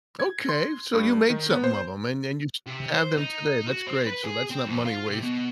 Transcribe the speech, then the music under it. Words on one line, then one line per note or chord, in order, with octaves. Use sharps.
Okay, so you made something of ‘em and then you t have them today, that's great, so that's not money wasted.
G#6
C6
G2
D#3
B3
C5
C3
C5
D#4
F#4
C4
B4
G#4
C4
F2
F4
C3
B2